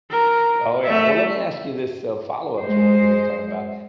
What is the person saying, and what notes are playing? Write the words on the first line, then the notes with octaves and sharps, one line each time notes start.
Eh Oh yeah, well, let me ask you this, uh, follow-up to what we've been talking about,
A#4
A3 E5
G#3 C5